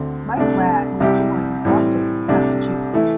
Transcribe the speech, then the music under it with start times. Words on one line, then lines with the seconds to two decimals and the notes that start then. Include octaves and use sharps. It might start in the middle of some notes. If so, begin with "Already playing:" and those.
Mike Ladd was born in Boston, Massachusetts.
Already playing: D2 D3 C4
0.37 C2 C3 A3 D4
1.00 C2 C3 G3 E4 G4
1.65 A2 E3 G3 C4
2.28 C2 C3 A3 D4 G4
2.93 E3 A3 E4